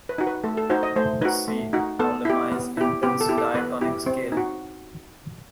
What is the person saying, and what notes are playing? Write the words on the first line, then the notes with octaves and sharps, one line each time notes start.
See: Ptolemy's intense diatonic scale.
B4
D#4 F#4
B4
A3 A4
A4
D#4 F#4 C5
D#5
A3 C5
D#4 F#4 B4
A3
D#4 F#4
B3 A4
E4 G4
B3
E4 G4
B3 G4
A4
E4 G4
A4
B3 B4
E4 G4
C4
D#4 F#4